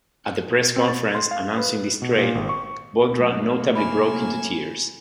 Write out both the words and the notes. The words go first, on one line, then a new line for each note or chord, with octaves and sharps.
At the press conference announcing this trade, Bondra notably broke into tears.
C4
A6
C6
F5
B4
B2
A#2
G#1
C#6
C3 F#3 A3 A#3
G#5 B5 E7